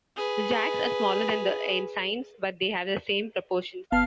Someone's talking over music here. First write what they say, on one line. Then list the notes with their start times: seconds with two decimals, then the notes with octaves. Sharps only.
The jacks are smaller than the ensigns, but they have the same proportions.
0.17 G#4 B4
3.92 G1 B3 F5 A5